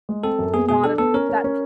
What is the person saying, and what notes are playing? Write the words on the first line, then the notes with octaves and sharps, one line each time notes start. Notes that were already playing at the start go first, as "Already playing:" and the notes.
not a that's
G#3
C4 A4
F#2
B3 G#4
B2 G#4
D4 A4
B3 A4
C#4 A#4
C#4
C#4